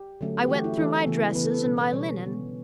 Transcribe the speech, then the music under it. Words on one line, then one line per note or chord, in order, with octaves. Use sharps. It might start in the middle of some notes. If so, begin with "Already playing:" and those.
I went through my dresses, and my linen.
Already playing: G4
D3 F#3 A3 C#4
G4
E3 A3 C#4 F#4
E4
E3 A3 C#4 A4
C#3 E3 B3
C#3 E3 B3 B4
A4
B4
B2 G3 C#4
B2 G3 C#4 C#5
D3 G3 B3